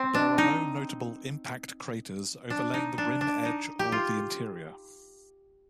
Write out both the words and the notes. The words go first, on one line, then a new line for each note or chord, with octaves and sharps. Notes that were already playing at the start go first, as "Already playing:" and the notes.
There are no notable impact craters overlaying the rim edge or the interior.
Already playing: C4
D4
D#4
D4
D#4
D4
D4
D#4
G4
F4